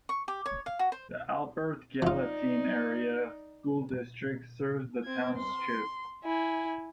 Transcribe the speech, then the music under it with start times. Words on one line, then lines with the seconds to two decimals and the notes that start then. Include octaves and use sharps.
The Albert Gallatin Area School District serves the township.
0.09 C#6
0.28 G4
0.46 C#5
0.66 F5
0.79 F#4
0.92 C5
2.02 F3 D#4 F4 D5
5.04 C4 G#6
5.37 C6
6.24 E4 G#5